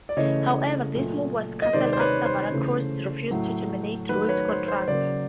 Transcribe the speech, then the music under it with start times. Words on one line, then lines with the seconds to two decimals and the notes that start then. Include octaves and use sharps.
However, this move was cancelled after Veracruz refused to terminate Ruiz's contract.
0.09 D5
0.17 C#3 E3 A3 C#5 D#5
0.95 A#2 F#3 A3
1.62 D#5
1.73 C3 D#3 G#3 C5 D5
1.93 C5
2.00 B4 C#5
2.25 C5
2.52 C#3 E3 A3
3.31 A2 F#3 A3
4.09 D#3 F#3 A3 B4
4.28 B4 C#5
4.48 C5
4.68 C5
4.88 C#3 F#3 A#3 C5 D5